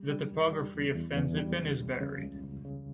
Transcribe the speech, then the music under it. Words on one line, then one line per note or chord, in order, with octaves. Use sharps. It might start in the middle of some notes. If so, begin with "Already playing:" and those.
The topography of Fansipan is varied.
Already playing: G3
G3
E2
G3
E2
E2
E2
G3
C#3
C#2
C#3
C#2
C#2
C#3